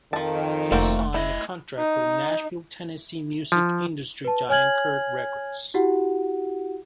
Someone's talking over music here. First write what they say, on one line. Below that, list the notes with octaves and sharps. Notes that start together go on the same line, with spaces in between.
He signed a contract with Nashville, Tennessee, music industry giant Curb Records.
F2 D#3 F3 A5
F1 A3 A#3 C4 F#4
A3 E4 D#5
D#4
F3
B4 A5
C#5 G#5 F6 G#6 F#7
E4 F#4 G4 F#5